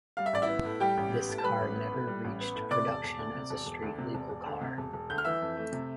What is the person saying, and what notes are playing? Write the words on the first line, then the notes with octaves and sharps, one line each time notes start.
This car never reached production as a street-legal car.
G3 F5
E5
A1 D5
E4 E5
B3
A2
G3 G4 G5
A1
B3
A2
A5
G3 B4 B5
A1
B3
A2
G3
A1
B3
A2
C3 D5 D6
E1
E1
D2
C3
E1
E1
D2
C3
E1
E1
D2
C3
E1
E1
D2 G6
F6
E3 E5 E6
F2
A3
C3